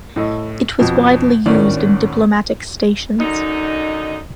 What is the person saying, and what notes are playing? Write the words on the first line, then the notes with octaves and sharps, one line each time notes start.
It was widely used in diplomatic stations.
A2 A4 D#5
F2 B2
G#1 A2 D#3 C#4 D5
F#2 D3 D#4